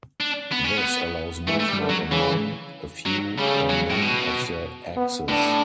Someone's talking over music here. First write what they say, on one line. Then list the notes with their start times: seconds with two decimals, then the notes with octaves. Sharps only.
This allows movement in one, a few, or none of the axes.
0.20 D4
0.52 B3
0.64 C#4
0.77 B3
1.48 E3 A3
1.60 A3
1.69 G3
1.80 D3
1.90 F#3
2.11 C#3 E3
3.06 F#3
3.38 C#3 G3
3.47 A3
3.55 G3
3.69 F#3
3.90 A2
4.02 B2
4.97 B3
5.28 A2 D4